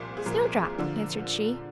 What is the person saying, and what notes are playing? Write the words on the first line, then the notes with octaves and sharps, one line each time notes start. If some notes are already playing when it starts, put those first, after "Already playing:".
"Snowdrop," answered she.
Already playing: C2 A#2 F3 C5
G#4
C2 A#2 F3 A#4
D3 F3